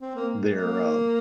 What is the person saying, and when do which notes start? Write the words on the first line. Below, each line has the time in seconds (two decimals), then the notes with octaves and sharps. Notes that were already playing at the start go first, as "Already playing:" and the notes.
they're um
0.01 C4
0.15 A#3
0.42 G#3
0.56 A#3